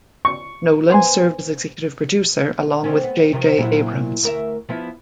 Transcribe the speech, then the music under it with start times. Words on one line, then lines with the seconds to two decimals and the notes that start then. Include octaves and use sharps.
Nolan served as executive producer along with J. J. Abrams.
0.25 C#6
0.90 B3 C5 G#5
2.84 D3 C4 C#4
3.04 B3
3.33 C3 D#3 F3
3.58 A#2 F#3 E4
4.23 D2 A#4 E5
4.69 F3 B3 E4